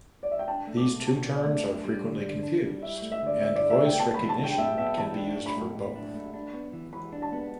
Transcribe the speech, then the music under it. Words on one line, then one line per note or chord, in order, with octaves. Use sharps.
These two terms are frequently confused, and "voice recognition" can be used for both.
D5
E5
G5
D4 A5
A3
D6
B2
B2 A5
D4
D5
A3
D4
G3
D3
D3
D4
G3
E4 E5
A3
E5
D3 D5
D3 E5
E4 D5
E5
A3 G5
B3 A5
E3 B5
A5
D4 G5
A2 E5
B3 E5
E3 A5
D4
A3
B5
A2
A2
D4
A3
D4
B3
E3
E3 B5
D4
A5
B3